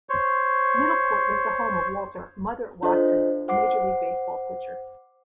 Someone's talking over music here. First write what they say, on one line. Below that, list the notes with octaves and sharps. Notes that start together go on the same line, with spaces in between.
Middleport was the home of Walter "Mother" Watson, a Major League Baseball pitcher.
C5 C#5
D4 F4 A4 C5 D#5
C5 F#5 D6 C7